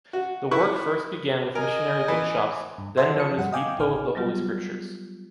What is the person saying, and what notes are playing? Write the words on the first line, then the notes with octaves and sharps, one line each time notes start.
The work first began with missionary bookshops, then known as "Depot of the Holy Scriptures".
F#4
E4 B4 C#6
A#4 D#5 G#5
E3
G2
A4 C5 D#5 E5 F#5 C6
F3 A5 C#7
G2 G3 F#5
D#5 F5 G5 G#5 D6
A1 D#4 G#5 F6
F#3 G3 B3 F4 G4